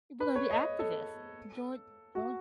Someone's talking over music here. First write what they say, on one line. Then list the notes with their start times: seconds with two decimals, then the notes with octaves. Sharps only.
we're gonna be activists, join join
0.20 B4
0.36 C#5
0.50 D#5
0.79 A4
2.15 F#4